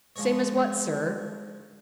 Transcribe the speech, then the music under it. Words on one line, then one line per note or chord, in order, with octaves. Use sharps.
"Same as what, sir?"
F3 G#3 C#5